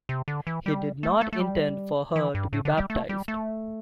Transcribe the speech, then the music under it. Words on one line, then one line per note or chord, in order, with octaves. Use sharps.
He did not intend for her to be baptized.
C3
D3
E3
G3
A3
A3
A3
G3
E3
G2
A2
D3
G3
A3
G3
A3